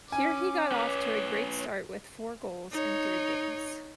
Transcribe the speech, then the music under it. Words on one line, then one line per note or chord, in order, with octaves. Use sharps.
Here he got off to a great start with four goals in three games.
C#4 G#5 D6
C#4 B4 C#5
D#4 C#5